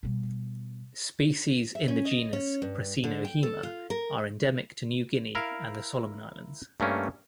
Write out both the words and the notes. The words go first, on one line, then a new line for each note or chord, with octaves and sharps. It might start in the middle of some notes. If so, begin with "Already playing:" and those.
Species in the genus "Prasinohaema" are endemic to New Guinea and the Solomon Islands.
B2 G3
E5
C#4
D#5
C#4
G2
D3
G5
A4
F4
A#4
E4 A#4 F5
G2 A3 A#3 C#4